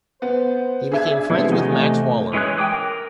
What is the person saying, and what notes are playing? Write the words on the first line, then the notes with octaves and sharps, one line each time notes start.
He became friends with Max Waller.
B3 C5
D4 G#4 E5 G#6
C3 F3 B3 E4
E2 A3 D#5
E3 G#3 C#4 G#4 F#6
G5 A5 D6 D#6 F#6
A#4